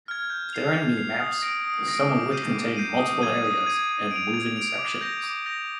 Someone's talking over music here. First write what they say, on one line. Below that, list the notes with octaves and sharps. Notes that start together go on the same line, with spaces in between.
There are new maps, some of which contain multiple areas and moving sections.
F6 G#6
G6
C7 F7
G6
C7 F7
D#6
A#6 D7
D#6
A#6 D7
D6
G6 C7 D#7
D6
G6 C7 D#7
D#6
G#6 D#7
D#6
G#6 D#7
G#6
D7 F7
G#6
D7 F7
D6
G6 A#6 F7
D6
G6 A#6 F7